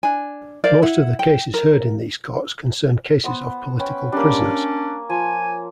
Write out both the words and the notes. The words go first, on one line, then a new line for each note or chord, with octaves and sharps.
Most of the cases heard in these courts concern cases of political prisoners.
D4 G#5
A#4 C5 D5 F5
E4 F#5
G5
A#4
B3 C5 F#5
C#4 B4 G5
G3 A#3 C#4 D4
G#5
F3 G#5